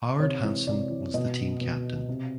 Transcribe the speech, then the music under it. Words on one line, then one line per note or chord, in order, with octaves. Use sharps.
Howard Hansen was the team captain.
C3 C#5
E3
C3 D5
E3
B2 D#5
B2
C3